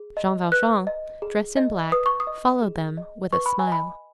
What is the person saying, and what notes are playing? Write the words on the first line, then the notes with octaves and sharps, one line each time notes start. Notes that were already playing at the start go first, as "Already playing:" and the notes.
Jean Valjean, dressed in black, followed them with a smile.
Already playing: G#4
D#5
B4 F#6
D#5
G#4
D#5
B4 D#6
C#6
D#6
D#5
G#4
D#5
B4 C#6
B5
G#5
D#5 B5